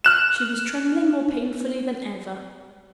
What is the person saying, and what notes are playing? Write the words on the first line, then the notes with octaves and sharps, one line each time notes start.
She was trembling more painfully than ever.
F6 F#6 E7